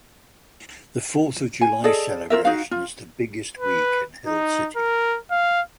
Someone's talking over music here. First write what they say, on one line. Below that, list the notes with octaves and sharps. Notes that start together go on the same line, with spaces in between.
The Fourth of July celebration is the biggest week in Hill City.
G#5
G#4 A4 D5 D#5
F4 G4 A#4 E5
D#4 F#4 F5
F4
B4
D#4
A#4
F5